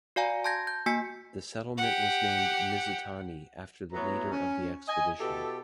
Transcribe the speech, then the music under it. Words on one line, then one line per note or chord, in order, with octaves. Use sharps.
The settlement was named "Mizutani" after the leader of the expedition.
F#4 D5 F5 G#5 A#5
A5 C6 G6 G#6 A#6
G6
A#3 F#4 G#5 B6 C#7
G4 F#5
A2 E3 F#3 B3 C#5 A#5
C#4
D#5 G#5
B2 E4 G4 A4